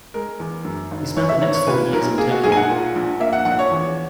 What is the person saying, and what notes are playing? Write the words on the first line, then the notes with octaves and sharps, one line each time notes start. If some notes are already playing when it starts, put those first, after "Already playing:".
He spent the next four years in Tokyo.
G#3 A#4
E2
F#2
G#1
E3 C#5
E5
G#1 C#5
C#5
A#2 B4
B1 A#4
A#3 G#4
F#4
B1 G#4
G#5
F#5
A#2
A#1
A#3 E5
F#5
A#1 F#5
C#5
E2